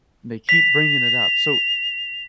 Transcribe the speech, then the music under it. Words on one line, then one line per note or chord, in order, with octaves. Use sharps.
and they keep bringing it up. So,
B6 F7